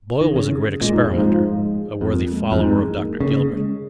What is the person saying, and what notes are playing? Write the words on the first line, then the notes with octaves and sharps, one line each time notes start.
Boyle was a great experimenter, a worthy follower of Dr. Gilbert.
D#3
C#3
A#2 G#3
G#2
F2
F3
G#2
G#3
F2 A#3
G#3
F2
G#2 G#3
A#3
C#3
G#3